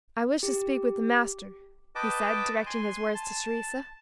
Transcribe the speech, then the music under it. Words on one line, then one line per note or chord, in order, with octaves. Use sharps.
"I wish to speak with the Master," he said--directing his words to Teresa.
G4
B4 D#5 G5 A5 D6
G#5 C6
A5